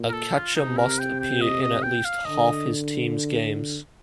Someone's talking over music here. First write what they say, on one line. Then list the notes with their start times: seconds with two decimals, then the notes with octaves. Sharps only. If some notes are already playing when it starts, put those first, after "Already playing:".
A catcher must appear in at least half his team's games.
Already playing: A#2
0.09 A#4
0.13 A4
0.35 F4
0.56 C3 D#4
0.77 A#4
0.99 G5
1.20 G5
1.41 D#5
1.62 D#5
1.83 G5
2.05 F5
2.25 D3 D#5